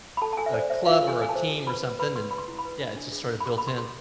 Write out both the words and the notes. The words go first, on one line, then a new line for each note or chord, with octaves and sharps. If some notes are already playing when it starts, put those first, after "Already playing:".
a club or a team or something, and Yeah, it's just sorta built-in,
B5
A4 A5
A5
A4 G#5
E5
C5 D5
C5 E5
F4 F5
A4 G#5
A4 G#5
A5
C5
G#4
B4 B5
B4
B4 B5
B4 C6
B4 B5
C6
E4
B5
B4
D4
D4
G#4
D4
B5
G#4 C6
B5
G#4
C6
G#4 C6